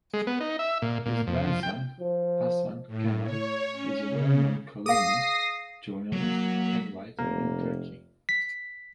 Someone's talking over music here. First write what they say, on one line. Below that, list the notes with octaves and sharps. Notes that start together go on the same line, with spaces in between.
His grandson, Hasan Cemal, is a well known columnist, journalist and writer in Turkey.
G#3
B3
D#4
E5
A#2
A#2
F2
F3
G5
F3
A2
C#5
C#4
C#3
G#4 F5 D#6 A#6 C7
F#3 A#3 B6
F1 A#3
B6